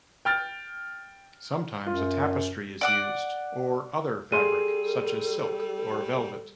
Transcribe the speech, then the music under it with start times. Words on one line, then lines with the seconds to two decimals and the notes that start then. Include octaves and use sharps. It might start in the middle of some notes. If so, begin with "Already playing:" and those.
Sometimes a tapestry is used, or other fabric such as silk or velvet.
0.25 G5 F6 A6
1.86 F#2 F4
2.81 D5 F#5 D6
4.32 G3 G#4 A4 C6 D#7